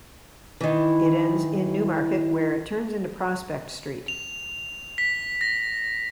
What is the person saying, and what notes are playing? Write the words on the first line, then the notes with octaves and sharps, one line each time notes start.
It ends in Newmarket where it turns into Prospect Street.
D#3 E3
F7
B6
A#6